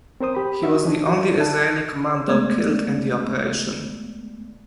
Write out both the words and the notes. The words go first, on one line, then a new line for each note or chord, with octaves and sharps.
He was the only Israeli commando killed in the operation.
C4 A#4 C5 D#6
G4 B5
D4 F#4 E5
E3 D4
F#4 D5
E5 A5
G#3 A3 B3 D5 G#6